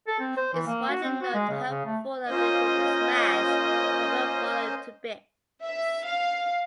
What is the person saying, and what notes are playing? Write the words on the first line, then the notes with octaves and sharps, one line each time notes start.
Is widely known to have full ability to smash Robert Barlow to bits.
A4
C4
C5
E3
A#3
F#4
C4
F#4
G#3
C#3
C#3
A3
A#3 C#4 F4 C5 D#5
E5
F5